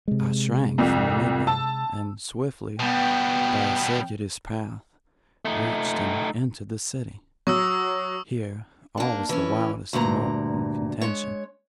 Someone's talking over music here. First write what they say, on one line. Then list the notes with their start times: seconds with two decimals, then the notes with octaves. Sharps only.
I shrank from amid them, and, swiftly, by a circuitous path, reached and entered the city. Here all was the wildest tumult and contention.
0.08 C3 G#3
0.78 C2 F2
1.47 A5 E6
2.80 B2 G3 B3 G5
5.45 A3 D#4
7.47 F#3 C#6 D#6 E6
8.97 A#3 D4
9.29 E3 C#4
9.93 D2 G2 A#2 A#5
11.01 G#3 C#5